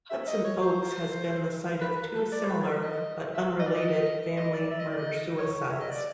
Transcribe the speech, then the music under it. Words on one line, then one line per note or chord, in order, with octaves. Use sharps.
Hudson Oaks has been the site of two similar but unrelated family murder-suicides.
E5
D#5
C#5
C5
B4
A#4
A4
D5
C5
B4
C#5
C5
D#5
E5
D#5
D5
D#5
D#5
D5
E5
D#5
D5
D#5
C#5
E5
D#5
D5